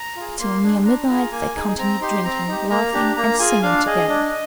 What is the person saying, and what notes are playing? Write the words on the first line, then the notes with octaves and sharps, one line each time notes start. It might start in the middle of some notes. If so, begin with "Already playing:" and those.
Till near midnight they continued drinking, laughing, and singing together.
Already playing: A#5
F4 G#4
A#3 C6
D4 G#4
D4 A#5
F4 G#4 A#5
A#3 G#5
D#4 G#4
C4 A#5
D#4 G4 C6
C4 A#5
D#4 G4
A#3 A#5
D4 G4
A#3 A#5
F4 G#4 G#5
D4 F5
G#4 D#5
D4